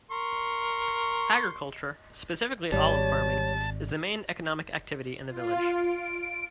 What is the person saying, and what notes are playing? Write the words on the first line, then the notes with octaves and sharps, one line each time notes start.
Agriculture, specifically olive farming, is the main economic activity in the village.
A#4 C6 C#6
G#1 G3 C#5 A5
F4
D7